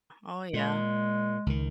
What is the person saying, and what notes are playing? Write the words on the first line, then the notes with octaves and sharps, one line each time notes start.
Oh, yeah.
A#2 G#3
C#2 D#3